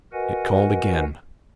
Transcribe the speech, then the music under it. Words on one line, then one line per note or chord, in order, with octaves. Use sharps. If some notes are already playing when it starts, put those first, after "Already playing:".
It called again.
F#4 A#4 B4 D#5 F#5 G#5